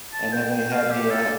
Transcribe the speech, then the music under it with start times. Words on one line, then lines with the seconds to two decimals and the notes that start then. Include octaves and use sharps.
and then they had the, uh
0.13 A5
0.32 G5
0.51 G5
0.72 F5
0.90 G4
1.11 A4